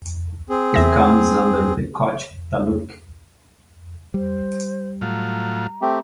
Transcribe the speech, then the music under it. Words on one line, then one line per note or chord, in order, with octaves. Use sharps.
It comes under the Kochi taluk.
C4 G#4
E2 E5 A#6
G3 C5
A2 F#3 F4 A#5
A3 C4 G4